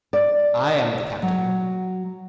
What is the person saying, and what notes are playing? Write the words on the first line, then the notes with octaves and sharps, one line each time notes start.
"I am the captain."
D5
F#3